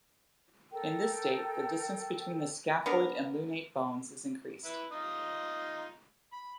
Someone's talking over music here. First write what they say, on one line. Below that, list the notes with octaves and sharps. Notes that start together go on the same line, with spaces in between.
In this state, the distance between the scaphoid and lunate bones is increased.
A4 A#4 G5
B3 D4 A#4
E4 B4
D#4 F4 D#6
B5